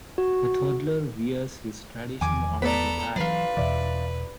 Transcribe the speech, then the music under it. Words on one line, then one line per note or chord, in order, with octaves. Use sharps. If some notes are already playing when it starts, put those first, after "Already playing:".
The toddler wears his traditional orange attire.
F#4
E2 D#3 F3 G#5 D6
B3 A4 D5 A#5 B5
E3 F#3 D4 F4 B4
E2 B2 E3 D5 E5